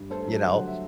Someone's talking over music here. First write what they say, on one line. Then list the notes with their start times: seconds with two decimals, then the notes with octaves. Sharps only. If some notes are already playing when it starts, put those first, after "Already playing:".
you know?
Already playing: G2
0.10 A3 A4 C5
0.27 F#3
0.46 D3
0.55 F#5
0.67 E5